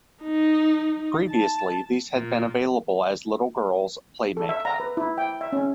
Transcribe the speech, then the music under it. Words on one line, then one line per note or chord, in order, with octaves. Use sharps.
Previously these had been available as little girls' play makeup.
D#4
A5
A#2
A4
E5
A#5
B4
E4
G5
E5
C#4